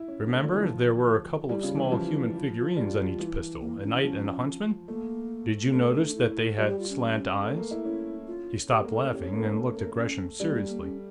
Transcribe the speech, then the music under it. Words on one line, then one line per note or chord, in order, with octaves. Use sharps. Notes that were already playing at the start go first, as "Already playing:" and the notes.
"Remember, there were a couple of small human figures on each pistol, a knight and a huntsman? Did you notice that they had slant eyes?" He stopped laughing, and looked at Gresham seriously.
Already playing: E4
C#4
A#3 D4
A3
D3 F4
E3
F3
G3 E4
C#3 F4
E3 E4
F3
F4
F4
G3
E3
A#3
C#4
F3
A3 A#3
A#3
A3 C#4
C#4
D4
E4
G3 F4
G4
F4
C#4
A3
A#3
E4
C#4 E4
F4
A3 G4
A#3
A4
C#4
C#4 G4
C#4
A#3 A4
A3
A3
A#4
C#4
G3 C#4
A#3
A#3
C#4